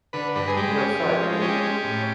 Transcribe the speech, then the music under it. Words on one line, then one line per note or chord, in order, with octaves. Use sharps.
Wait outside, will you.
D3 B4
G2 B4
G#4
G#3 G4
C#4
F3
G#3
C#4 G4
C#4
A2